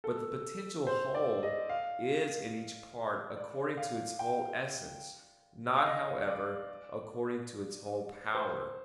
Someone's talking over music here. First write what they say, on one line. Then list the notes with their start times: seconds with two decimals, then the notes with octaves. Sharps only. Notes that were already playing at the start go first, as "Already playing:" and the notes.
But the potential whole is in each part according to its whole essence, not, however, according to its whole power.
0.04 A4
0.87 C5
1.15 D5
1.43 D#5
1.69 F5
3.37 D5
3.77 F5
4.19 G5
5.77 F5
5.86 D#5
6.28 D5
8.35 C5